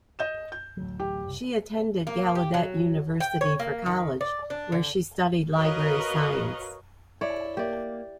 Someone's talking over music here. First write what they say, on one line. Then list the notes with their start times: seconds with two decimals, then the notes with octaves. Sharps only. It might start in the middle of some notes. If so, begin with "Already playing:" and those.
She attended Gallaudet University for college where she studied library science.
0.19 D#5 G6 E7
0.52 G6
0.77 A1 D2 F#3
1.00 G4
1.24 F#1 C2
2.07 A#3
2.35 G4
2.54 F#3
3.20 G5
3.41 C#5
3.60 A#3
3.86 D#3
4.21 D5
4.50 D4
4.72 D3
5.56 F#4 A#4 B4 C#5 D#5 F5
7.21 E4 C#5 D5
7.57 A#3 G4 D5